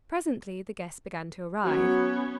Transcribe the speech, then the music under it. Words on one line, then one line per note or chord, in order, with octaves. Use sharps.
Presently the guests began to arrive.
F#3 B3 C#4